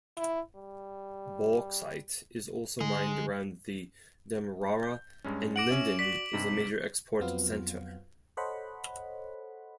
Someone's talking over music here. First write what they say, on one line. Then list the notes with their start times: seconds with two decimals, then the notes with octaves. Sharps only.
Bauxite is also mined around the Demerara, and Linden is a major export centre.
0.17 E4
0.55 G3
2.80 D3 G#3 G#4
4.83 G6
5.24 G2 G#3 C#4
5.56 F#5 D6 A#6 D7 F#7
5.70 C#4 E5
5.99 F#4 D5 B6 F#7
6.33 G2 C3 D#4
7.20 F2 F#3 B3 C4 F4 F5
8.37 A4 C5 C#5 D#5 F#5 B5